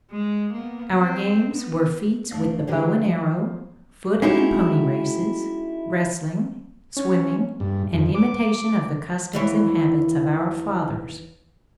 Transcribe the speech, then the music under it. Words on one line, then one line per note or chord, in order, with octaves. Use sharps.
Our games were feats with the bow and arrow, foot and pony races, wrestling, swimming and imitation of the customs and habits of our fathers.
G#3
A#3 B3
C4
B3
A3 D4 F5
D3 E3 G#3 D4 G4 A#4
F3
G#3 C#4 D#4 E4 F#4 G4
C#4
G2
F2
D6
D#2 E3 C#5